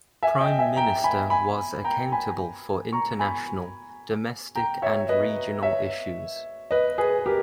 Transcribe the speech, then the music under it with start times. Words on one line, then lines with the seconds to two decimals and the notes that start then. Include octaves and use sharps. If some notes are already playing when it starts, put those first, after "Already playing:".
Prime minister was accountable for international, domestic and regional issues.
0.23 E5 G#5
0.41 D#5 G5
0.59 E5 G#5
0.76 G5 A#5
1.04 G#5 B5
1.30 G#5 B5
1.84 G5 A#5
2.12 G#5 B5
2.93 A#5 C#6
3.19 G#5 B5
4.55 G5 A#5
4.82 C#5 E5
5.09 B4 D#5
5.63 C#5 E5
6.71 B4 D#5
6.98 G#4 B4
7.26 G4 A#4